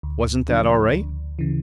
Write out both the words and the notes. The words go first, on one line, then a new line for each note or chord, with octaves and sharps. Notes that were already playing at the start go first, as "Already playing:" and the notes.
"Wasn't that all right?"
D2
C#3 F3 A3 D4
D2
C#3 E3